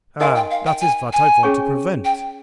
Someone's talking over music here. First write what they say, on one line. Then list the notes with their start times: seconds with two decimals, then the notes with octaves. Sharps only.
"Ah! dat is vat I vant to prevent."
0.20 D#4 A#4 D#5 F5 G#5 C6
0.36 G5
0.51 F5
0.66 G5
0.81 G#5
1.13 G#5
1.43 C#4 G#4 C#5 G5 C#6
2.05 G5